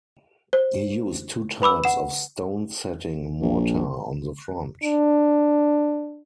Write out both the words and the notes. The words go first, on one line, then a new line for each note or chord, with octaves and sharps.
He used two types of stone-setting mortar on the front.
C5
B4 B5 D6 E6
F#5 E7
A#1
D4